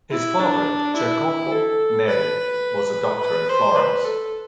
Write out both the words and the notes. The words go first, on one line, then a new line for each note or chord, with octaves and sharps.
His father, Jacopo Neri, was a doctor in Florence.
E4
D4
E4
A4
B4
B4
C5
B4
A4